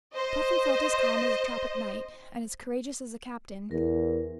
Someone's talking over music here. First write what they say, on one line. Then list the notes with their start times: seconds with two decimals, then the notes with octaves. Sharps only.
Puffin felt as calm as a tropic night, and as courageous as a captain.
0.15 C5 D#5
3.71 E2 A#4